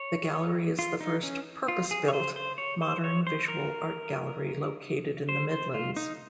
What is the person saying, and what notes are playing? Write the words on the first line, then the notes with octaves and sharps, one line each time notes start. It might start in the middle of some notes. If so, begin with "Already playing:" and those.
The gallery is the first purpose-built, modern visual art gallery located in the Midlands.
Already playing: C#5
F4
D#4
C#4
F4
G#4
C#5
C5
C5
C#5
C5
C#5
C5
A#4
C5
C5
F4
D#4